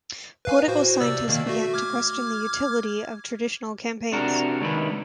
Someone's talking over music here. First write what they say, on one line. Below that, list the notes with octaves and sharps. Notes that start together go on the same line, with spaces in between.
Political scientists began to question the utility of traditional campaigns.
B4 F5 G#5
A2 F#4 C5
C3 D5 E6
B2 D#3 A#3
A3 F#4
D6 F6 G#6
C3 D4 F#4 A#4
C#2 D#3 B4